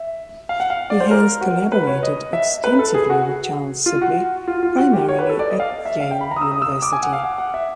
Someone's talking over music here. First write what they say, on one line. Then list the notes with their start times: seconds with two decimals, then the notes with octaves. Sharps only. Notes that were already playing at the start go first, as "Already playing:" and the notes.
He has collaborated extensively with Charles Sibley, primarily at Yale University.
Already playing: E5
0.49 F5
0.60 F#5
0.70 F5
0.90 D5
1.00 C5
1.11 A#4
1.41 F#4
1.72 B4
1.87 C#5
2.03 D#5
2.33 E5
2.64 B4
2.79 A4
2.94 G#4
3.10 F#4
3.86 F4
4.01 F#4
4.48 F4
4.63 F4
4.78 F#4
4.93 G4
5.09 C#5
5.19 B4
5.29 A4
5.39 D5
5.50 D#5
5.60 F5
5.85 E5
6.00 F5
6.11 G5
6.21 B5
6.31 A#5
6.36 D#6
6.41 E6
6.52 D#6
6.62 E6
6.72 D#6
6.82 D6
6.93 G#5
7.03 F#5
7.13 F5
7.24 F#5
7.38 F#5
7.54 E5